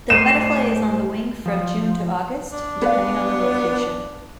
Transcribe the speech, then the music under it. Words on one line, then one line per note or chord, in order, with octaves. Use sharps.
The butterfly is on the wing from June to August, depending on the location.
A2 C5 C7 D#7 E7
F3
D4
B3 B4 D5 F5